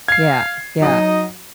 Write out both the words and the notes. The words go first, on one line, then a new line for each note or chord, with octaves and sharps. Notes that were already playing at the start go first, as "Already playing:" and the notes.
Yeah, yeah.
F5 G#6 C7
F#3 D#4 D#5